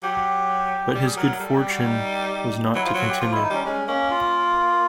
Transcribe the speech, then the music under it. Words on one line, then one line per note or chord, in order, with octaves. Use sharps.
But his good fortune was not to continue.
F#3 G4
G3 G4
G#4
F#3 A#4
A#4
G3 A4
G4
F#4
D#4
F#3 E4
F3 F4
F#3 F#4
G4
F3 F4
D#3 E4
D#4
G3 C#4
G#3 C#4
A#3 C#4
F4